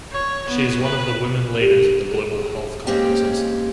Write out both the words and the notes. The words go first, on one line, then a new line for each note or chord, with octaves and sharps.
She is one of the Women Leaders in the Global Health Conferences.
C#5
B3
B4
G4
G#4
G#3 A#3 C4 C#4 G4 G5